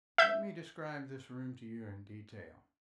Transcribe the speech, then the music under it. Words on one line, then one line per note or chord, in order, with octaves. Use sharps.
Let me describe this room to you in detail.
E5 G6